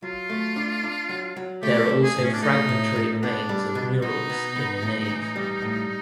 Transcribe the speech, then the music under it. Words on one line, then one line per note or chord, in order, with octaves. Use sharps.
There are also fragmentary remains of murals in the nave.
F#3 F4
A3
D4
D4
F#3
F#3
A3 G4
C4
G#4
A2
C#4
D4
A3 D#4
A2
A2
B3 D4
G3
B2
B2 D#4
B3
B3
A2
E3
G3
A2